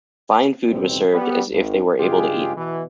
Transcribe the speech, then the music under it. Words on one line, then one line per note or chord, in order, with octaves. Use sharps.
Fine food was served, as if they were able to eat.
A1 D#2 B2 G3 C4
G3 B3
G#1
G2 C#3 G#3 F4 G4 G#4
B2 E3